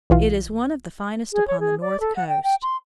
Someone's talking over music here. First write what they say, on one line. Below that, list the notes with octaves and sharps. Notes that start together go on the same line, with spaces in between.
It is one of the finest upon the north coast.
B1 E3 F4
G#4
C#5
G#4
D5
A4
F#5
G5
G5
C6